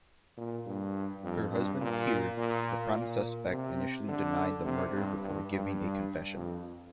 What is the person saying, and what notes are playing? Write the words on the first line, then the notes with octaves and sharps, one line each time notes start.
Her husband Peter, the prime suspect, initially denied the murder before giving a confession.
A#2
G2
F2
G2
A#2
A#2
A#2
C3
D3
C3
G2
G2
G2
F2